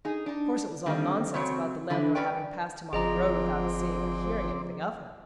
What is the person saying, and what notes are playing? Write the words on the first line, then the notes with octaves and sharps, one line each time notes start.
Of course it was all nonsense about the landlord having passed him on the road without seeing or hearing anything of him.
D#4 G#4
D4 D#4
D3 D#3 G3 A#3 C4
C#3 F#3 C4 C#5
D3 E3 D4 E4
G2 A#2 C#4 B4 D5 G5
G1 F3 C4 G#4 D5 D#5 A#5